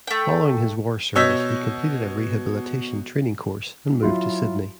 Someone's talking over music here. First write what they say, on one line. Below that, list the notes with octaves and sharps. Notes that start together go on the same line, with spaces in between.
Following his war service he completed a Rehabilitation Training course and moved to Sydney.
A3 G5
B2 C#5 D#5 E6 G6 B6
F#3 E4 F4